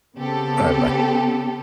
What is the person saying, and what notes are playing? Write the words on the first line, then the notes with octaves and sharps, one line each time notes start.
Alright, bye.
C#3 B3 C4 G4 A4